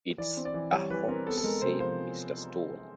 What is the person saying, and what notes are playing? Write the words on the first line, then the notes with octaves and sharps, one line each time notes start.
"It's a hoax," said Mr. Stone.
E3 D5
C4
D5
E3
G3 C#5
E3 B4
C4 A#4
B3 A4
A4
G#3 A#4
C3 C5
F3 C5